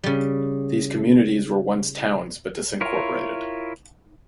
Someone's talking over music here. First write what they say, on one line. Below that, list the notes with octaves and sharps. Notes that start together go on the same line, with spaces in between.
These communities were once towns but disincorporated.
C#3 G3
E4 F4 A#4 C#5